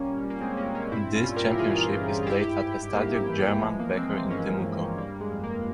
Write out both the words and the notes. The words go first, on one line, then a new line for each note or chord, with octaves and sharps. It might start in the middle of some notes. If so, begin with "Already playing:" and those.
This championship is played at Estadio German Becker in Temuco.
Already playing: A#2 G3 A#3 C#4
G3
A#3
G#3 C4
A#2 A#3 C#4
A#3 C#4
G2 C4 E4
C#4 F4
G3
G4 A#4
E3 F4 G#4
G2
F4
G#2 E4 G4
G#2
G#2 A#3
E3
F3 G#3
A#3
F3 G#3 C4
G#3 C4
G2 A#3 C#4
G2
G3 A#3
G#3
F2
A#3